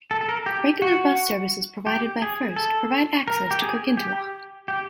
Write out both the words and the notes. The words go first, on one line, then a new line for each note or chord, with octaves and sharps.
Regular bus services provided by First provide access to Kirkintilloch.
A4
A4
A#4
G4
F#4
G4
G#4
A4
A#4
G4
G#4
G4
G4